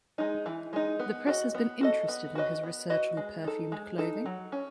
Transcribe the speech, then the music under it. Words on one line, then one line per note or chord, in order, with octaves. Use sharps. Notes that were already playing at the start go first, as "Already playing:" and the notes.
The press has been interested in his research on perfumed clothing.
G#3 D#4
E3
G#3 D#4
B3
F#4 A4 D#5
B3
F#4 A4 D#5
B3
F#4 B4 D#5
B3
F#4 B4 D#5
G#3
D#4 A4
G#3
D#4 A4
F#3
C#4